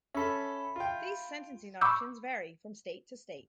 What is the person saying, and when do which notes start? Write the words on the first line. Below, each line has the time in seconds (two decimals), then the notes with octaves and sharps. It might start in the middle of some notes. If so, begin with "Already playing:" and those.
These sentencing options vary from state to state.
0.15 C#4 A4 E5 B5
0.76 F4 G5
1.81 B5 C#6 D6 E6 G6